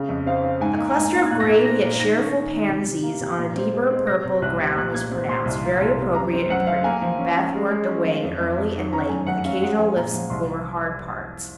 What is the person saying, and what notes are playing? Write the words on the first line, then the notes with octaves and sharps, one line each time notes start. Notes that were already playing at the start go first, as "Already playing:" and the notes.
A cluster of grave yet cheerful pansies on a deeper purple ground was pronounced very appropriate and pretty, and Beth worked away early and late, with occasional lifts over hard parts.
Already playing: C#3
F2
C4 F5
C4
G#2 G#5
A#3
A#5
G#2 G#5
A#3
G#6
A#2 F#6
A#6
A#2 G#6
C4 A#6
A#2
D#3 A#6
C#4
D#3
D#3
C3
C3
A#3
C3
A#2
C4
G#3
C4
C3 A#6
C3
C2 F#6
C3
A#2 F#6
A#2 G#6
C4
A#2 C6
C2
A#3
C2
C3
F#2 A#5
C4
F#2 F#5
F#2 F5
A#3 G#5
F3
C#4
C#4
G#3
G#3
C#4
F3
F2
F2
F2
D#3
C#4 A#5
F#2 G#5
F#2 F#5
C#4 F5
G#3 F#5
F3 G#5
A#2 A#5
F3
C2 C6